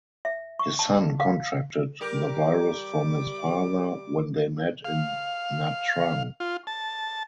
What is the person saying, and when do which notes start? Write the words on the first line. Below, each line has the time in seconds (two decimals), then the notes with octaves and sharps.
His son contracted the virus from his father when they met in Nha Trang.
0.25 E5
0.59 C#6
0.79 A5
1.20 F5
2.01 G3 G4 A#4 D6
4.85 F5
6.40 F4
6.67 A5